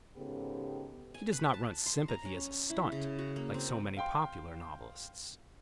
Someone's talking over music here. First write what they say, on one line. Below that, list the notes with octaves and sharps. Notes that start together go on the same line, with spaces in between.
He does not run sympathy as a "stunt" like so many popular novelists.
G#2 C#3 B3 G4 A4
G#5
B4
A5
C6
A#5
C#4
E4
C#3
F#4
A#3
C4
F5 G5 C6